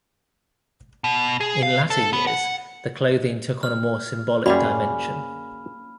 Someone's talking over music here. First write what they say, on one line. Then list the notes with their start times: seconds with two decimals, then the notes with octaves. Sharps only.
In latter years, the clothing took on a more symbolic dimension.
1.04 B2
1.40 G#4
1.62 F5
1.90 A4
2.13 B3
2.27 F#5
3.63 F6
4.46 F#2 G3 A#3 C#4 F#4 G#4 D5 B5